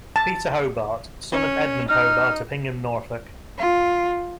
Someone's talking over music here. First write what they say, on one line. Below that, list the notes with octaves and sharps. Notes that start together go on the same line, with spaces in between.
Peter Hobart, son of Edmund Hobart of Hingham, Norfolk.
A5
C#4
D#4 F6
F4